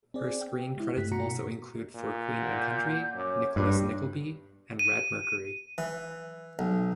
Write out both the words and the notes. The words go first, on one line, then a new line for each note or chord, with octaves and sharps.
Her screen credits also include "For Queen and Country", "Nicholas Nickleby", and "Red Mercury".
C4 G#4 D5
G5
G#3 E4
G2 A3 F#6 B6
B2 F#4 A#5 C#7
A#2
F#5 G6
F#2 C#5 D6
A#1 G2
D#7
E3
B1